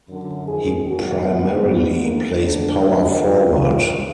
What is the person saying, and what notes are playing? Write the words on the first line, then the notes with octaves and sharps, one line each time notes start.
He primarily plays power forward.
F#2 D3
F2 D#3 G#4
F#2 D#3 F#4
D#2 D3 B3
D2 D3 B3
D2 D3 A#3
D2 D3 D4
D2 D3
F#2 D3 F4
F#2 D#3 F4